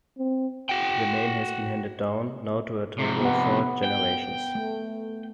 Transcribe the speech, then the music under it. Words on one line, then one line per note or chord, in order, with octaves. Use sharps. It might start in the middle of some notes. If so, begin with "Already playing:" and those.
The name has been handed down, now to a total of four generations.
C4
F#4 F#5 G5
F2 C3
B3 F#5
G5
A3